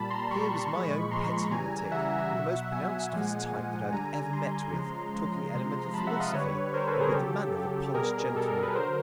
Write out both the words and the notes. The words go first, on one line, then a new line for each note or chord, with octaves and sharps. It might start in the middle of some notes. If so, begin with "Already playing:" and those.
Here was my own pet lunatic--the most pronounced of his type that I had ever met with--talking elemental philosophy, and with the manner of a polished gentleman.
Already playing: A#2 G3 A5 B5
A#5 C6
A#2 G3 B5 C#6
A#2 F3 G#3
A#2 F3 G#3 A#5 C6
C#3 E3 G3 G#5 A#5
C#3 E3 G3 E5 F#5
B2 F#3
B2 F#3 F#5 G#5
A#2 F3 G#3
A#2 F3 G#3
D3 G3 G#5 A#5
D3 G3 A#5 C6
C#3 F3 G#3
C#3 F3 G#3
C3 F3 G#3
C3 F3 G#3 A5 B5
E5 F#5
D#5 F5
D3 G3 B4 C#5
D3 G3 A#4 C5
A4 B4
G#4 A#4
C#3 F#3 G4 A4
C#3 F#3
B2 G3 G#4 A#4
B2 G3 A4
A#4
B4
D3 F#3 A#4 C5